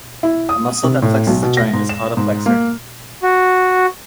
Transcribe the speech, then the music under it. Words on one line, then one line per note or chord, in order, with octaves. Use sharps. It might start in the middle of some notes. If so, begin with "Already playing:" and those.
A muscle that flexes a joint is called a "flexor".
E4
D#6
C3
A2
B1
B2
A#6
G#2
E7
G#2
A#3
F#4